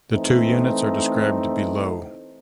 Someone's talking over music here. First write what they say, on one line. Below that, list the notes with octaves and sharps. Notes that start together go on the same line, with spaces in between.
The two units are described below.
E3 A3 C4 D#4